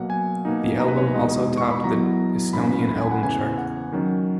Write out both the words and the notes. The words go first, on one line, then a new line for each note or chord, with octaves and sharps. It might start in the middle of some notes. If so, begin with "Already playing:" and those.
The album also topped the Estonian album chart.
Already playing: B2 F#3 A#3 F#5
G#5
B2 A#3 D#4
A#5
B4
C#5
B4
E2 B2 G#3 D#4 D#5
C#6
B5
B2 F#3 B3 E4 A#5
G#2 E3 A#3 C#4 B5
B5
G#5
F#5
E2 C#3 E3 G#5
F#5
D#3 F#3 C#4